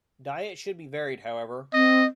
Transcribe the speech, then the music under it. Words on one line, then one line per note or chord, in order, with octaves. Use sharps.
Diet should be varied however.
C4 D#5